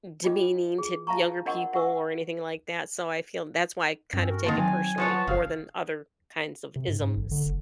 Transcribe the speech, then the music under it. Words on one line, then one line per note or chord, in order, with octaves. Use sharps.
demeaning to younger people or anything like that, so I feel that's why I kind of take it personally, more than other kinds of isms.
D#4 F4 D#5 G5 D6
G#4
F4 E5 F5 A5 A#5 C#6
D4 A#4 D#5 F#5 C6 C#6
E5 F#5 C#6 E6
G2 C4 C#4
F#4 A#4
D3 D#3 G#3 A#3 C4 A5
F#3 G#5
F3 B3 C#5 F#5 A5 C#6
G1 C#3 F5
C3
G#2
G#2
A1
D3
F#1